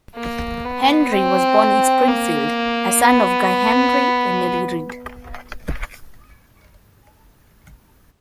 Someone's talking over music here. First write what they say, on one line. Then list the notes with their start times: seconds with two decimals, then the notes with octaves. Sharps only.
Henry was born in Springfield, a son of Guy Henry and Nellie Reed.
0.16 A#3
0.65 B3
1.12 C4
2.08 A#3
3.05 B3